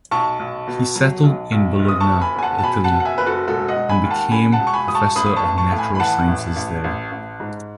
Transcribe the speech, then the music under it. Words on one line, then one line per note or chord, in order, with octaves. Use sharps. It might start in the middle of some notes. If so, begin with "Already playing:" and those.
He settled in Bologna, Italy, and became professor of natural sciences there.
B1 A5 C#6
B1
B2
F#3
B1
B1
F#1
D#6
A5 C#6
F#1
G#5 B5
E2 G#5
F#5 A5
A5
B2 G#5 B5
F#5 A5
F#1
F#5
E5 G#5
F#1 B4
F#4 A4
E1 F#4 A4
D#5 F#5
E1
G#5 B5
D#2
F#5 A5
C#3 G#5 B5
F#5 A5
E1
C#6
G#5 B5
E1 D#6
A5 C#6
A1 B5 D#6
D#6
A5 C#6
A1
A5 C#6
A2
G#5 B5
B5
E3 F#5 A5
A1
A1
A1
A1
G#2